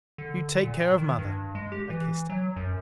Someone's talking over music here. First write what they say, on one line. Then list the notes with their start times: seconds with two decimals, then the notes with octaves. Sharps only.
"You take care of Mother." I kissed her.
0.18 D3
0.64 A#2
0.98 D#3
1.18 G2
1.55 G#3
1.72 G4
1.90 E3
2.30 F#3
2.56 F#2